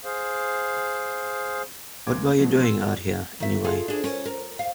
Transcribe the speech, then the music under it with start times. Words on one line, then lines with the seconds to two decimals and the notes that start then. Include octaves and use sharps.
What were you doing out here, anyway?
0.04 G#4 C5 F5
2.07 D2 A#3 C6 D6 G#6
2.38 B2 D3 F3 F#3 A3
2.61 C6 E6
2.79 F#4 D5
3.40 D#3 E5
3.64 F4 G#4 A4
3.88 D4 G#4
4.04 C#4 A#4
4.26 A#4
4.59 F5